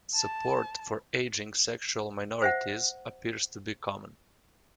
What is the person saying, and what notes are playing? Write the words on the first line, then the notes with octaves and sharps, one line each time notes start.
Support for aging sexual minorities appears to be common.
A5
C5 E5 F#5